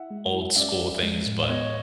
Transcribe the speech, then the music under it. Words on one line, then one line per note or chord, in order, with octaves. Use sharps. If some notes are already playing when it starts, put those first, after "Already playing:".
old school things, but,
Already playing: E4 E5 F#5
G#3
E4
C#4 D5 E5
C#4
G#3
A2
E5
B3 C#5 D#5